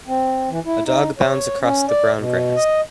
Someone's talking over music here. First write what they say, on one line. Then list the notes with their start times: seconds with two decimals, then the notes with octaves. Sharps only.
A dog bounds across the brown grass.
0.07 C4
0.50 E3
0.65 E4
0.86 D#4
1.18 C#5
1.61 C#4
1.89 D5
2.17 B2
2.56 D#5